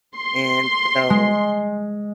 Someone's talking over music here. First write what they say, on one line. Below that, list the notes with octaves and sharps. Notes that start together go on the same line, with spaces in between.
and so
C6
G#3